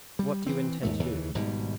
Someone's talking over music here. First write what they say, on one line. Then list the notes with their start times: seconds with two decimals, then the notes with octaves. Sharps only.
What do you intend to do?
0.19 G3
0.46 E3 C4
0.83 D#2 G#2 A3
1.00 D#2 C#3 E3
1.35 G#1 G#2 B2 G3